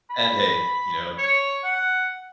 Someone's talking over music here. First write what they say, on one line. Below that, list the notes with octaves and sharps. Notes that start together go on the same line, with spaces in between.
And, hey. You know?
B5
C#5
F#5